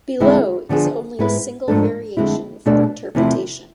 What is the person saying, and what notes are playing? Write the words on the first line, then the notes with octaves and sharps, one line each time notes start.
Below is only a single variation for interpretation.
E2 D3 G#3 C4 E4
D3 F3 B3 D4 G#4
G#2 G#3 B3 E4 B4
G#2 F3 A3 D4 A4
F2 D3 G#3 C4 E4
B2 A3 D4 A4 D5
E2 C3 F3 A3 E4